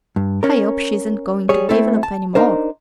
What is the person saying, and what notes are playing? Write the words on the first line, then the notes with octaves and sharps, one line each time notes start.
"I hope she isn't going to develop any more!"
G2
C#4 A#4
G3 G#4 C#5
A3 C4 E4 A4
A5
D4 D#4 A#4 C5